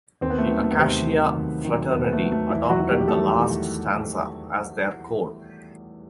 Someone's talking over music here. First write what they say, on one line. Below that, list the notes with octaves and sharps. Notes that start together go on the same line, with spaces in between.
The Acacia Fraternity adopted the last stanza as their code.
D#2 C4
B3
A3
D#3 F#3 B3
A3
B3
D#2 C3 C4
D#3
F#3
D#2
D#3 F#3
D#2 B3
B3
A3
D#3 F#3
A3
E2 E3 E4
F#3 F#4
D#3 F#3
G3 G4
G4
E2 A3 A4
D#3 F#3